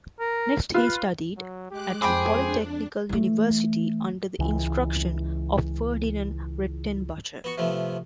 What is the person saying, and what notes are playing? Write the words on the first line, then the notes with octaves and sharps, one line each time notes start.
Next he studied at the Poly-Technical University under the instruction of Ferdinand Redtenbacher.
A#4
F4 B4
F#3
G#3 G4 D6 F#6
F2 G#4 C5 G5 B5 D6
D4
E3 A3
C#2 E3
B3 F#4 C#6
C3 F3 A3 B3